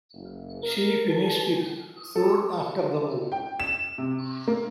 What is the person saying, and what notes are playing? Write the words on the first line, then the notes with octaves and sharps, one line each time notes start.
She finished it soon after the move.
F#1
A#4
A4 B4
A4
G5
E7
C3
A#3